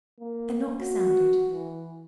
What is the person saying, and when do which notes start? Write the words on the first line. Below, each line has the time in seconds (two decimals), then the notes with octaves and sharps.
A knock sounded.
0.20 A#3
0.81 F#4
1.51 E3